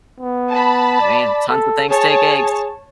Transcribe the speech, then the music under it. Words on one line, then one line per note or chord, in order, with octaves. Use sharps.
I mean, tons of things take eggs.
B3
A5 B5
D5
A4
G#4 C#5 A5